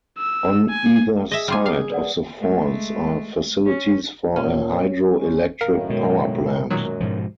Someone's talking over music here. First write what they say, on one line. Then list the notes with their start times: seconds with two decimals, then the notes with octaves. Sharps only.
On either side of the falls are facilities for a hydroelectric power plant.
0.18 E6
0.70 G#5
1.31 G#4 D#5 E5
1.48 G3 F4 G#5 D6 F6
1.66 F5
1.90 B4 D5 F#5
2.37 G#3 A3
3.66 C#4
4.36 A#2 C#4
5.16 G#3 C#4
5.61 F#2 A2 D#3 A#4 F5
5.90 B2 G#3
6.70 F#2 A#2 D#3 F#3
7.00 G#2 B2 F3